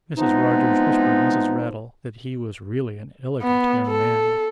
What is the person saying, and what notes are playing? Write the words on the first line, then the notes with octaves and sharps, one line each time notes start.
Mrs. Rogers whispered Mrs. Raddle that he was really an elegant young man.
E3 F3 G#3 B3 C4 D#4
B3
A4